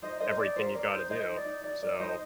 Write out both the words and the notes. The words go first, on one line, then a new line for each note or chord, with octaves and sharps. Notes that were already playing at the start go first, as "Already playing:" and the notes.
everything you gotta do, so
D#4 C5 D#5
A#4 C5 D#5
C5
D#4 D5
A#4 C5
A#4 D5
D#4 C5
D#4 C5 D#5
D#4
D5
D#4
D#4 D5
A#4 D5
D#4 C5 D#5